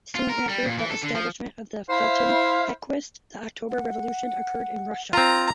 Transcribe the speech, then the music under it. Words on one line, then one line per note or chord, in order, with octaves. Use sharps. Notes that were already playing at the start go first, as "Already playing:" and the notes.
Soon after the establishment of the Felton Bequest, the October Revolution occurred in Russia.
F4
A#4
G3
A#2
E3
A4
D3
F3
E4 C5 F5
F#5
C4 F4 A#5